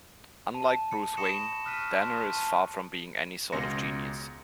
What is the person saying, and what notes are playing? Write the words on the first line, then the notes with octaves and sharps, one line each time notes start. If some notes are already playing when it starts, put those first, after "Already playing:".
Unlike Bruce Wayne, Danner is far from being any sort of genius.
A5
C#7
B5 C#6 D#6 A#6 C#7 E7
C#6 D#6 F6 F#6 B6 D#7
A5 C6
A5 C#6
C#2 B2 C#4 C6 A#6 C#7